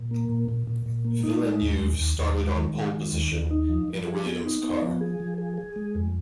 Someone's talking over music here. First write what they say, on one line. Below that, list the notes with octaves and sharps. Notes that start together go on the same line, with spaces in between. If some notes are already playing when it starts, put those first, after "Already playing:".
Villeneuve started on pole position in a Williams car.
Already playing: A#2
A#3
A#2
A#2
A#2
A#2
A#3
D#4
G#3
D#2
D#2
D#2
D#2
G#3
D#3
G#3
D#3
D#2
D#2
D#4
F3
F3
G#4
B3
D#4
B3
F3
G#4
F3
G#4
G#4
G#3
F2